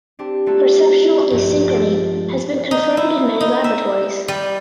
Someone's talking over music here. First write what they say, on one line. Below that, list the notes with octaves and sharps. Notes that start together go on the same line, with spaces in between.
Perceptual asynchrony has been confirmed in many laboratories.
C4 D4 G4
G3 A3 A#3 F4 F#4 A4
A#1 G2 F3
F4 A4 D7
D#4
E4
D#4
E5
G3